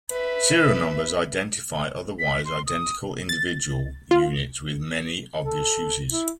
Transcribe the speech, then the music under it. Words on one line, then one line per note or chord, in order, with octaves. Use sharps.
Serial numbers identify otherwise identical individual units with many, obvious uses.
B4 E5
B6
C6
D#6
A6
F4
A4
E4